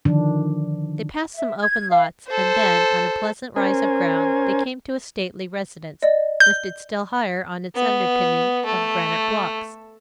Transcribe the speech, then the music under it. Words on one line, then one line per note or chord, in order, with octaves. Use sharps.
They passed some open lots, and then, on a pleasant rise of ground, they came to a stately residence, lifted still higher on its underpinning of granite blocks.
D3 D#3 F3 D4
E5
G#6
F5
A4 C5
C#4 A#4 C5 G#5
D5 D#5
G6
B3
A3